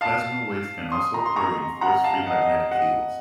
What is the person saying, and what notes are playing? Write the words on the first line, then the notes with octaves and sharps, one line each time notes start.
Plasma waves can also occur in force-free magnetic fields.
F5 A5
C6 D#6
A#5
C6
A#5 C#6
F#5 A#5
F5 A5
D#5 F#5
D#5
D#5 F#5